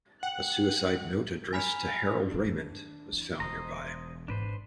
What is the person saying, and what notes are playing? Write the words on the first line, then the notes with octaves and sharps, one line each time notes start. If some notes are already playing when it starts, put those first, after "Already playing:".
A suicide note addressed to Harald Ramond was found nearby.
F#5 G5 F#6 F#7
G#5 A#5 B5 F6 B6 F7
A#1 B2 D4
D#3
E2
E1 C5 D#5 A#5
G#1 D4 B4 C5